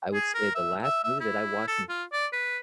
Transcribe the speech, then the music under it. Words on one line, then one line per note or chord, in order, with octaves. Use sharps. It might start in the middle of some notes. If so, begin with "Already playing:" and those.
I would say the last movie that I watched in th
G#4
A#4
E5
E5
E5
E4
A4
F4
D5
B4